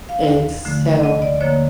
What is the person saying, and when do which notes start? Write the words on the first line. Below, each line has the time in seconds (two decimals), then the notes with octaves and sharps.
and so
0.09 F5
0.28 D#2
0.65 D3 F3 A3
1.03 D2 D#5
1.22 D5
1.41 D3 F3 A#3 C#5